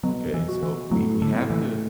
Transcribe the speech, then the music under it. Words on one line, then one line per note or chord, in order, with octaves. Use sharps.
Okay? So we we have to,
B2 F#3
E3
F#4
E3
A2 F#3
D3
A2
E3